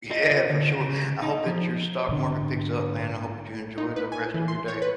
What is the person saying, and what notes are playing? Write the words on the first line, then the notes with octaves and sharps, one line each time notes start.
Yeah, for sure, I hope that your stock market picks up, man, I hope that you enjoy the rest of your day.
F4 D#5
D3
C#3
D#4
F3
G#2 D3 D4
D#4
B4
G#5
E3
C6
C#5
B4